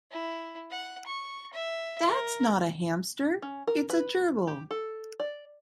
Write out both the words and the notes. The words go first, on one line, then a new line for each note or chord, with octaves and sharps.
That's not a hamster, it's a gerbil.
E4
F#5
C#6
E5
A#4
C#4
A#4
B4
G4
A4
D5